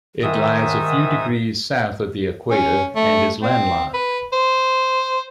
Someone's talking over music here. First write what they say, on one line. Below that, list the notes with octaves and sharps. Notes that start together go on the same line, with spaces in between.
It lies a few degrees south of the equator and is landlocked.
G#2 D#3 E5 D#6
C#4
A3
C4
B4
C5